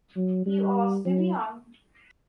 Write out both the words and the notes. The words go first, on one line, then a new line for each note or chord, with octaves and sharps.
You are still young.
F#3
G3
F#3